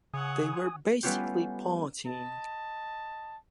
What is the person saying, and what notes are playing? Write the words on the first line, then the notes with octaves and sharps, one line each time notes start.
They were basically partying.
C#3 C#5 F#5 G#5 D#6
G3 A3 B3 C#4 F4 G4
D#5 A5